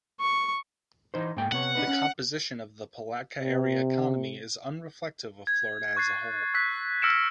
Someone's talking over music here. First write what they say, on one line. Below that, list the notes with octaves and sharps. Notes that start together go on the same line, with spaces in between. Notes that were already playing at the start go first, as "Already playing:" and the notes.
The composition of the Palatka area economy is unreflective of Florida as a whole.
C#6
E3 D#4 C5
G#2 A#3 G5
C3 B3 C#5 F#5
D4 D#4 B4
C#4
C3
G#6
C#6 F#6 A6 C7
E6 F#6 B6
E6 F6 A#6 C#7 D7 E7